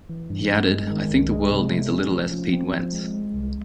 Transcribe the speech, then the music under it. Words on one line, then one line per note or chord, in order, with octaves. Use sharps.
He added: "I think the world needs a little less Pete Wentz".
E3
G2
G2
G#3
D#3
C2
G#3
C3
A3
C#4
F3
F3
C4
F3
G#3
G#3
C2